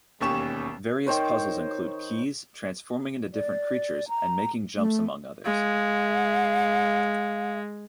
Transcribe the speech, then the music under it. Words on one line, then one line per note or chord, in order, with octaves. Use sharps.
Various puzzles include keys, transforming into different creatures, and making jumps among others.
E1 D#2 C#4 G4 C#6 E7
D#3 C5 C#5
D5
A#5
A3
G#3 F5